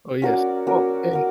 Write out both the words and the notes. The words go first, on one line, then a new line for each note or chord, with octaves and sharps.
Oh, yes. Oh, and,
C#4 F#4 A#4 D5
C#4 F#4 A#4 D5
F#4 A#4 D5